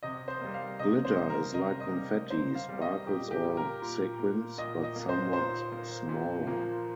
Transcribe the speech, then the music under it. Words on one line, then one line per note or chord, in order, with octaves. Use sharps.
Glitter is like confetti, sparkles, or sequins, but somewhat smaller.
C3 D#5
C5
G3 A#3
F5
C3 D#5
C5
G3 A#3
A#4
C3 D#5
D#5
G3 A#3
C3 C5
F5
G3 A#3
D#5
A#2 G4
G4
A#3
A#4
A#2
A#3
A#2 D#5
D#5
A#3
C5
A#2 C5
A#3
A#2
F3 A#3